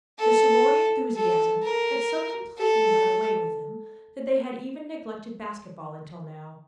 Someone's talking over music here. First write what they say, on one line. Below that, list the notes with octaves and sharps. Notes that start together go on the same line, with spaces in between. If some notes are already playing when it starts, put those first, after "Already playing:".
Their sorority enthusiasm had so completely run away with them that they had even neglected basketball until now.
A4
A4
A#4
A4